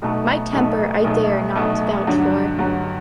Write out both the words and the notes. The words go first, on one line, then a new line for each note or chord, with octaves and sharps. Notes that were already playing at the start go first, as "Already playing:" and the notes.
My temper I dare not vouch for.
B1 B2 A3
B1 B2 A3
B1 B2 A3
B1 B2 A3
G2 D3 F#3
G2 D3 F#3